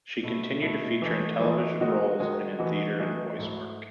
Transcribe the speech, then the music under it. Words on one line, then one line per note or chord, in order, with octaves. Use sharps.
She continued to feature in television roles and in theatre and voice work.
B2 A3 E4
B2 A3 E4
E3 A3 D#4
E3 A3 D#4
D#3 G#3 D#4 F#4
D#3 G#3 D#4 F#4
E3 A3 D#4 F#4
E3 A3 D#4 F#4
G#2 F#3 A3 E4